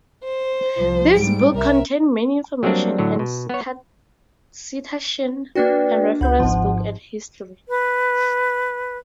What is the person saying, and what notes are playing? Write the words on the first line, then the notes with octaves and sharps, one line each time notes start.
This book contain many information and citation and reference book and history.
C5
C2 F3
G#2 G3 D7
C2 A#4 E5
F#3 G3 A#3 C4 D4
A2 D3 F#3
B2
B3 C#5
A#3 D4 F#4 B4 D5 G5
C#2 F#5 B5 G6
G#1 G#2 F3
B4